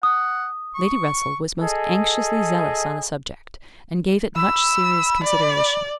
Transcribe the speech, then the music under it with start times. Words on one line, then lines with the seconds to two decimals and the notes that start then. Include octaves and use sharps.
Lady Russell was most anxiously zealous on the subject, and gave it much serious consideration.
0.03 F#5 D#6
0.75 C#6
1.60 G#4 A4 D#5
4.36 B5 E6
5.24 D5